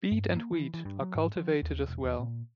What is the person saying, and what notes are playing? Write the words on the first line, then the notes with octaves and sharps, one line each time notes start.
Beet and wheat are cultivated as well.
G2
A#3
E3
E3
G2
F#3
G#2
F3
D#2
E1
D#2
A#2